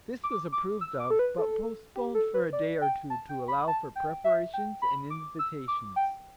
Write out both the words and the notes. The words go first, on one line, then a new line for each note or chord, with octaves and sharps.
This was approved of, but postponed for a day or two to allow for preparations and invitations.
D6
D6
E6
D6
A4
B4
A4
G4
A4
B4
D5
G5
A5
G5
B5
A5
G5
E5
G5
B5
D6
E6
D6
G5